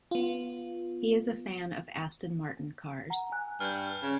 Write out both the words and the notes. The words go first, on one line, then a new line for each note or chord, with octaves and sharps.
He is a fan of Aston Martin cars.
B3 F4
F#5 A#5
G#5 F#6
G2 F6 G6
C#3